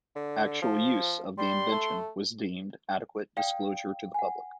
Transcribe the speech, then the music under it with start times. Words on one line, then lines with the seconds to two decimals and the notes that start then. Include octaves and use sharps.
Actual use of the invention was deemed adequate disclosure to the public.
0.16 D3
0.62 F3
1.38 G3 C6
1.72 A3
3.37 D5 F5 G5 D#6
4.14 F#5 G#5